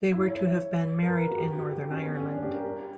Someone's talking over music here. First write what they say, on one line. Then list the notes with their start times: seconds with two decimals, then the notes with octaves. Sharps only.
They were to have been married in Northern Ireland.
0.12 E4
0.22 C#5
0.33 E5
1.03 A#4
1.07 B4
1.17 A#4
1.28 F#4
1.38 G4
1.53 F#4
1.69 G4
1.90 C#4
2.01 B3
2.17 C#4
2.32 D4
2.43 G4
2.54 A#4
2.64 D4